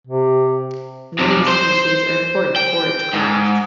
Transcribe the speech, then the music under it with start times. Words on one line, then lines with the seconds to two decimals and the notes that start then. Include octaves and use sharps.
Many species are important forage crops.
0.07 C3
1.19 F2 C3
1.48 C5 C6
2.56 G5
3.14 G#2